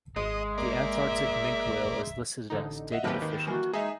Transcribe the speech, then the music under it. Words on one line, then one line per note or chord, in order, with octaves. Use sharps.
The Antarctic minke whale is listed as Data Deficient.
G#1 G#3 D#5
A#3 D5 E5
A1 D3 D#4
D#5 E5 F#5
G#1 D#2 C4 G4 B4
D#3
E3 A#3 F#4
G#3 D#4 G#4 E5